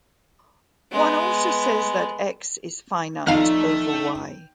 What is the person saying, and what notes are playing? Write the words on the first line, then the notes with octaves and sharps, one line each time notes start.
One also says that "X" is finite over "Y".
G#3 B3
A#1 F2 A3 D#4 F5 F6
G5